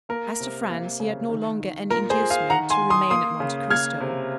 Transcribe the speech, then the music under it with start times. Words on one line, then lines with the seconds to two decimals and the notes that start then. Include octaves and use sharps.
As to Franz, he had no longer any inducement to remain at Monte Cristo.
0.09 A#3 A#4
0.40 C3
0.70 A#3
1.00 C#3
1.29 D#3
1.60 D#3
1.90 A#2 A#4
2.10 G#4 C5
2.20 A#2
2.30 F5 G#5
2.50 D#3 F#5 A#5
2.70 G#5 C6
2.81 D#3
2.90 C6 D#6
3.10 A#3 C6 D#6
3.40 C#3
3.70 A#3 F6 G#6
4.01 C3